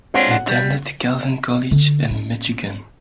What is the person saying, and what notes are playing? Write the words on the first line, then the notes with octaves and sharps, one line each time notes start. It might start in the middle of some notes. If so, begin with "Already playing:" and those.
He attended Calvin College in Michigan.
G#3 C4 D4 F4 C#5 F#5
F#5
G3
D3
C#4